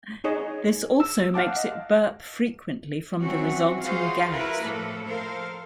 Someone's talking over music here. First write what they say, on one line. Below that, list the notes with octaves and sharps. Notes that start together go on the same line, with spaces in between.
This also makes it burp frequently from the resulting gas.
D#4 G#4 C#5 D#5
E6
F5 F#5 A5 D6
D#5
E3 F#3 C4 C#4 F#4
E3 F4 F#4 G#4 C5 F5
E4 A#4 B4
A2 F3 A#3 A4
A4 A#4 C5 F5